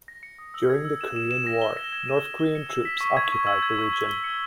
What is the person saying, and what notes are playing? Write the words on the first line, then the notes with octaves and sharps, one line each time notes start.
During the Korean War, North Korean troops occupied the region.
A#6
C#7
D#6
E6
G#6
E6
E7
E7
E7
A#6
G7
A#6
G#6
D#7
G7
G7
C#7
E6
B6
C#6
G#6
C#6
E6
G#6
C#6
G7
G7
C#7